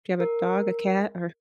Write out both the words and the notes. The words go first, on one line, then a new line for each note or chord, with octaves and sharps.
do you have a dog, a cat, or
A#4